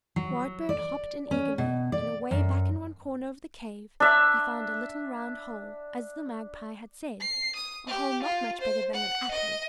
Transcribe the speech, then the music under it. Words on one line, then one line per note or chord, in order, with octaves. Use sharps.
Whitebird hopped in eagerly, and away back in one corner of the cave he found a little round hole, as the Magpie had said; a hole not much bigger than an apple.
F#3
D5
C#4
B2
D5
F#2
D4 E5
C7
D#6
G4
F4
C5
F#5
D#5